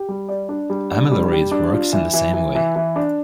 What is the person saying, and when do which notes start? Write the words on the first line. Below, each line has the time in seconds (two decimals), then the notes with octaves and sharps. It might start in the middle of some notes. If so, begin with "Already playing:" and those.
Amiloride works in the same way.
Already playing: G4
0.09 G3
0.29 D5
0.49 D4
0.70 G3
0.91 D4
1.11 G3
1.31 G4
1.51 D4
1.73 F4
1.92 E3
2.14 E3
2.34 E3
2.55 E3
2.76 E3
2.96 D4